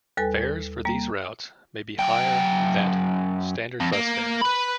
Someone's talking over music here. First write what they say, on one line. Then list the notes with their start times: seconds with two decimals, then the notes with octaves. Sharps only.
Fares for these routes may be higher that standard bus fare.
0.17 D#2 G3 A4 B4 G#5
0.85 G3 A#3
1.99 F#2 G5
3.80 F2
3.92 A#3
4.41 B4 B5